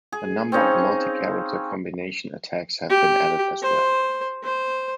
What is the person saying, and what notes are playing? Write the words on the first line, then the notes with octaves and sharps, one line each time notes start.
A number of multi-character combination attacks have been added as well.
G#4
C4 C#4 D#4 F5
G4
C5
C5